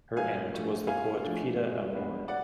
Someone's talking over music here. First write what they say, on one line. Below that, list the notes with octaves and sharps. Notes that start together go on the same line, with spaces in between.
Her aunt was the poet Pita Amor.
G#2 F5 G#5
F3 A3 D4
G#2 F5 G#5
F3 A3 D4
G#2
G#3 B3 D4
D5 F#5